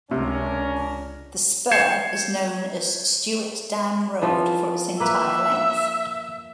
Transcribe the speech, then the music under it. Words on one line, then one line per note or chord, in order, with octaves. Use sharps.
The spur is known as Stuart Dam Road for its entire length.
C#2 C3 C#4 D4 A#4
G6 G#6 C7 C#7 E7
E3 F3 C4
A#3 B4 E5